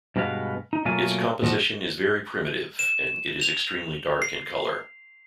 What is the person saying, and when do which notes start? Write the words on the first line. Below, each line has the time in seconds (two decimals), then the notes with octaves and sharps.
Its composition is very primitive and it is extremely dark in color.
0.16 G2 B2 G#3 B3 F5
0.73 D#4
0.85 B2 F#3 A3 A#3 F4 G#5
1.42 A#2 F3 F#4
2.79 E7
3.41 F7
4.22 C7